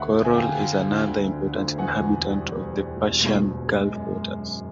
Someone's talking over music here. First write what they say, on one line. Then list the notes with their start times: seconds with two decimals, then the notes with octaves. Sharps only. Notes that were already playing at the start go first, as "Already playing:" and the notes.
Coral is another important inhabitant of the Persian Gulf waters.
Already playing: D2 E5 F#5
0.12 D2
0.24 G#5
0.36 D2 F5 G5
0.60 D2
0.83 D3
1.07 D2
1.31 D3
1.55 D2
1.78 E2 F#5 G#5
2.02 E1
2.25 G3
2.49 E2
2.73 G3
2.96 E1
3.20 B2
3.44 E1
3.67 G#3
3.92 F#2
4.15 G#3
4.39 F#2